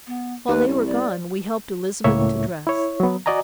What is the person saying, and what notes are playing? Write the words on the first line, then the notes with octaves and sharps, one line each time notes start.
While they were gone we helped Elizabeth to dress.
B3
D#2 B4
C2 G3
D5
C#2 A2 A#3 C#5 E5
E4 C#5
F#3 B3
F#4 D5 D#5 G#5 A#5